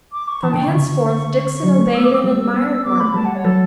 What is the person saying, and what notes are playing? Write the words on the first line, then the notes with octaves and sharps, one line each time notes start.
From henceforth Dixon obeyed and admired Margaret.
D6
C#6
E3 A5
D3 G5
C#6
C#3
D3 C#6
F#3
A3
B3 E6
D6
A3 E6
G3
B3
B3 D6
A3 B5
G3 A5
F#5
C#5
F#3 A4